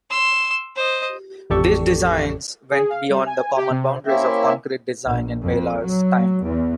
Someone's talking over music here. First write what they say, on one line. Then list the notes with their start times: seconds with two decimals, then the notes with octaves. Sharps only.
These designs went beyond the common boundaries of concrete design in Maillart's time.
0.10 C6 E6
0.76 C5 D#5
1.50 A1 F2 G4 A4 D5 C#6
2.71 G#4
2.90 F5
3.10 G3
3.26 G#5
3.57 G4
3.70 C3
4.05 A#3 C4 C#4 E4 G4 E5
5.04 A#1
5.45 F2
5.81 F#3
6.45 E2